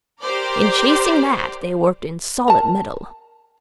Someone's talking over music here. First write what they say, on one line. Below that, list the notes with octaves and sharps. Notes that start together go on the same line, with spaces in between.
In chasing that they worked in solid metal.
G4 A#4 C5 D5
A#4 A5